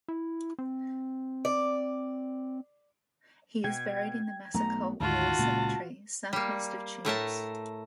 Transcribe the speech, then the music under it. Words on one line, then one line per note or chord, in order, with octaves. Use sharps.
He is buried in the Massicault War Cemetery, southwest of Tunis.
E4
C4
D5
B2 G5 G#6
B1 A3 B3 A#5
D2 G#2 D#3 F4 F#4 A5
C#2 A#2
G3 A#3
A2 A3 A#4 A5